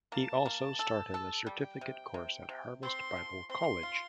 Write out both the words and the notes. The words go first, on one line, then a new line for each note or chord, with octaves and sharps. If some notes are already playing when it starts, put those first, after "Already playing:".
He also started a certificate course at Harvest Bible College.
A#3 A5
A#3
A4
A4
G3 G5
C3
C3
C3
C4 C6
F3
C4 C6
F4